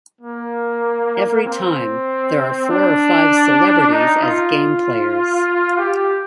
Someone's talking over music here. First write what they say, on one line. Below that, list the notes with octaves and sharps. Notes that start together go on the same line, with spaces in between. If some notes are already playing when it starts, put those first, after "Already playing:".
Every time, there are four or five celebrities as game players.
A#3
C4
D4
D#4
F4
G4